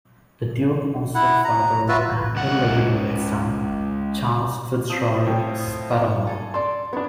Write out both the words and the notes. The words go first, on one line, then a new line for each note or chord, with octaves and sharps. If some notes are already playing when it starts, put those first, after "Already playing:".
The Duke also fathered an illegitimate son, Charles FitzRoy-Scudamore.
E4 F#5
A#5
F4 F#4 B4 E5
C#2 F#5
F3 C4 D#5
A2 G5
G#4 A4
A4 D5 C6
B3 D4 C#5